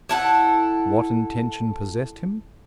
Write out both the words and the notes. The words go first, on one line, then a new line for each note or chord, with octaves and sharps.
What intention possessed him?
E4 A4 F#5